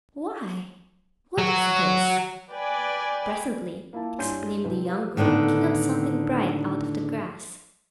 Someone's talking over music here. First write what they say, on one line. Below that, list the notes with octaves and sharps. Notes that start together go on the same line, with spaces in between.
"Why, what is this?" presently exclaimed the young girl, picking up something bright out of the grass.
F#3 F#4
B4 D5 G5 G#5
A#3 E4 F4 A5
G2 E4 C#5 G#5 C6 G6
C2 C3 E4 B4
F4 G4 B4 C5
A2 D3 D#3 B3